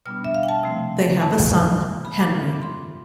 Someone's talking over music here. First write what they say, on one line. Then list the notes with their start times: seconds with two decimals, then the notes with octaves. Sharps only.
They have a son, Henry.
0.06 B2 G3 B3 D4 F6
0.24 E5
0.34 F5
0.43 G5
0.49 A5
0.63 C3 F3 A3 C4
1.20 F2 C3 E3 A5
1.77 A2 E3 B3
2.05 B5
2.20 D6
2.33 G2 E3 B3 F4
2.62 C6